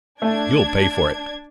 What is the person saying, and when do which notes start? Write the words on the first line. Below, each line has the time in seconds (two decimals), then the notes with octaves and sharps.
"You'll pay for it!"
0.22 A3 D4 G#6